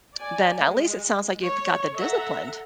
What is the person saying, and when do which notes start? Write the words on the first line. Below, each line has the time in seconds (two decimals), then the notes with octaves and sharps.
then at least it sounds, like, you've got the disciplined.
0.16 D5 G#5
0.57 G#3
1.44 C#5
1.95 A4 E5 F#5 A#5